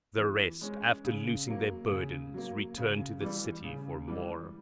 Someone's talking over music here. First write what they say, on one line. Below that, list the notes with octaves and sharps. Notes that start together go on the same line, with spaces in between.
The rest, after loosing their burdens, returned to the city for more.
E3
G#3 C#4
C#3
F#3 A#3
C#3
F#3 A#3
C#3
E3 G3
C#3
E3 G3